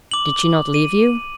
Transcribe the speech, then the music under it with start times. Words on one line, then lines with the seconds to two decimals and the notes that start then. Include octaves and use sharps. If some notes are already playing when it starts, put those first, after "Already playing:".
"Did she not leave you?"
0.11 D6 F#7
0.74 D#7